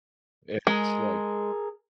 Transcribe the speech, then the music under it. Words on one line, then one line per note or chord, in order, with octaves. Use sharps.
It's like,
G#3 G#4 A#4